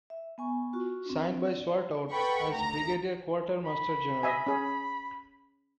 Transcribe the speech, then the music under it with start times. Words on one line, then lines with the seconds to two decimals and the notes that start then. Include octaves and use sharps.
Signed by Swartwout as Brigadier Quarter Master General.
0.10 E5
0.38 B3 G#5 C#6
0.73 F4 F#4 C#6
1.06 C4 D4
1.47 D5
2.11 A4 B4 F#5 G5 B5 C#6
2.51 D2 A#5
3.65 B5
4.23 D#5 E5 G#5
4.47 C#4 G#4